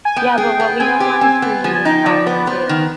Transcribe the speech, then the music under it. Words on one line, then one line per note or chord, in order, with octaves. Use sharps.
yeah, but what we don't want is for you to spiral too.
G#5
B3 G5
G#4
B3
C4 G#5
G4
C4
B3
F3 G#5
G#5
D#4 G5
F3 D5
B3 B4
B3 C5
D#3